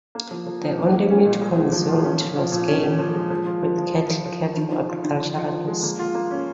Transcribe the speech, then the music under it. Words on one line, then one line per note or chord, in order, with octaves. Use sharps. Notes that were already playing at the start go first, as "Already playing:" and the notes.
The only meat consumed was game, with cattle kept for agricultural use.
A#3
F3
F3
D#4
A#3
A#3
C#4
A#2
G#3
F3
F3
F4
C#4
F3
F3
A#2
C#4
C#4
F3
G#3
F3
F4
F3
F3
F3
F3
F3
F3
D#3
D#3
F4
D#3
F3
F4
F3
G#3
A#3
F4
A#3
C#4